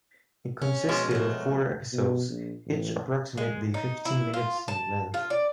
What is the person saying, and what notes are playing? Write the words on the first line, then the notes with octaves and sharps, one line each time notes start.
It consisted of four episodes, each approximately fifteen minutes in length.
C#4
B2 F3 G#3
F#3 A3
B2
A#1
A1
G#3
D#4
E4
F4
A5
F4
D5